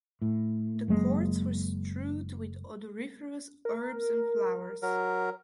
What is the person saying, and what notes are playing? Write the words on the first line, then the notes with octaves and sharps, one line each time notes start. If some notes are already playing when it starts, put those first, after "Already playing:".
The courts were strewed with odoriferous herbs and flowers.
A2
F#1 F#3 G#3 A#3
A#4
F#3 A#4